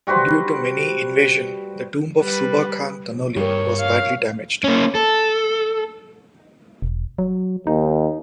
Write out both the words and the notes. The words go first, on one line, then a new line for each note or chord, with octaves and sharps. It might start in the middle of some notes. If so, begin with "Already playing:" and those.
Due to many invasion the tomb of Suba Khan Tanoli was badly damaged.
G3 F#4 B4 C5
G3 B4
G2 G4 A#4 C#5
F5
A#3 C#4
A4
E1
F#3
D#2 D#4